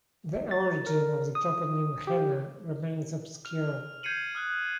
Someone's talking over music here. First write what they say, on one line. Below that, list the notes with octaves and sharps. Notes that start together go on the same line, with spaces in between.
The origin of the toponym "Henna" remains obscure.
A6
A#4
D#6
G4
F6 F7
G6 G#6 C7 C#7 D#7 F#7
D#6 F6 F#6